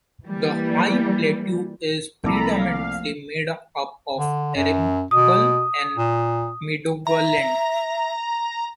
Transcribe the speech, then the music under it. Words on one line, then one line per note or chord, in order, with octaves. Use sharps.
The high plateau is predominantly made up of arable and meadowland.
E3 G3 A#3
C2 F3 A3 A#3 A4 A#5 B5 D6
F5
D3
F#2
B2 D#6
A#2
E5 A#5